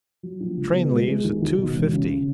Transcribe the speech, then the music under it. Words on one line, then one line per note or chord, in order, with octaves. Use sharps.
Train leaves at two-fifty.
F#3
A#1
C#2
B3
G#3
G#3
D#2
D#2
B2
E1
C#3
C#3